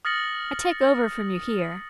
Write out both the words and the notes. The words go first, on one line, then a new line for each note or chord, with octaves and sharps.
'I take over from you here.
D#6 F6 A6 A#6 C#7 F#7